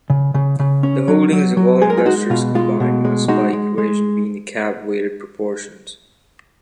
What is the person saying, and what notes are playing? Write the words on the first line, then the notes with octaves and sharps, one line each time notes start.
The holdings of all investors combined must, by equation, be in the cap-weighted proportions.
C#3
C#3
C#3
C#4
F#3
F#3
F#3
G#3 G#4
A#4
F4 G#4
G#3 D#4 F#4
B2 F4
G#3 F4
B2
G#3
G#3 D#4 F#4
G#3
G#3